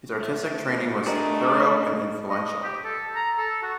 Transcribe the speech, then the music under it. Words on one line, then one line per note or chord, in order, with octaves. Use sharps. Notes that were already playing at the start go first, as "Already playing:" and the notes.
His artistic training was thorough and influential.
A3 C5
G3 A3 D4 F#4 G#4 A#4 D5 D#5
D#5
D#6
G4
A4
A#5
A4
F#4